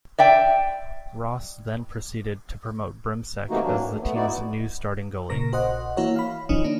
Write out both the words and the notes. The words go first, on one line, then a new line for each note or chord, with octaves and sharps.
Ross then proceeded to promote Brimsek as the team's new starting goalie.
D5 E5 G5
C3 E3 A3 A#3 D#4 F#4
F#2 E3 F#3 A#3 D4
A2
A3 B3
B3 D#4 E4 F#4 D5
A#2 C#3 A#4 A#6
A#1 F#4 C5 D#5 F#5
E3 A#3 E4 F#4 A#4 C#5
F5 B5
D#3 F3 C#4 D#4
A#3 D4